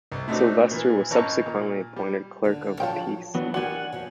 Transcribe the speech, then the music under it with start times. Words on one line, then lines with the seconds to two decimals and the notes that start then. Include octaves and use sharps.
Silvester was subsequently appointed clerk of the peace.
0.12 C2
0.28 A2 A3 C4 D4 D#4 F#4
0.71 A#2 E3
1.11 G#1 C#4 B4 A5 A#5 C#6
1.46 A#2
1.96 G3
2.44 D#2 D3
2.80 F3 F#3 C#5 F5 G5 A5
3.35 E3 F#3 B3 D4
3.54 D#3 F#4 G4 D5 F#5 G#5
3.92 E2 F3 F#3